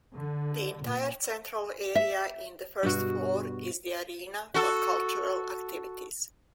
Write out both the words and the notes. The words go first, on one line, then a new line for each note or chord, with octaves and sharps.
The entire central area in the first floor is the arena for cultural activities.
D3
A#2
E5
G2 B2 F#4
F#4 A4